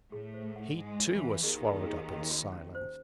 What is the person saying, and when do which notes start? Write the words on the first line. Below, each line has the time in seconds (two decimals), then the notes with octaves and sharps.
He, too, was swallowed up in silence.
0.12 A2 A3 G#4
0.34 C5
0.56 F#5
0.77 G#2 G#3 D#4
1.00 C#5
1.10 E2 E3
1.21 F#5
1.43 D#2 D#3 G#4
1.65 G#4
1.87 G#4
2.09 C#4
2.31 F#4
2.52 C#4
2.75 C5